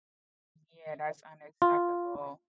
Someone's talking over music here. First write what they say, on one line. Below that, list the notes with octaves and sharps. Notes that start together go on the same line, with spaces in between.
Yeah, that's unacceptable.
F4